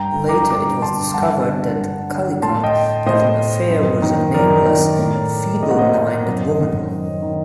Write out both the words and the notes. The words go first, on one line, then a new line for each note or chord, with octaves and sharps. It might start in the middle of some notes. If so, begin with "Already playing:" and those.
Later, it was discovered that Kallikak had an affair with a "nameless feeble-minded woman".
Already playing: G2 G5 A#5
D3
A#5 D6
G2 A#5 D6
D3 A5 C6
G2 F#5 A5
D3
G2
D3
A2 A5 C6
D#5 G5
A2 C5 D#5
F#2
D#3
F#2 A#4 D5
D#3
A2
A2 D#5
F#5
C5 D#5
F#2
D#3
F#2
D#3